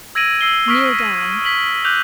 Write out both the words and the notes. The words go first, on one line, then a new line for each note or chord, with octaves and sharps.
"Kneel down."
E6 G#6 A#6 D7 D#7 F#7
E6 C7 G7
C#6 D#6 F6 B6 D7
B6 D#7
B6 F#7 G7
D6 F#6 G6 F7 F#7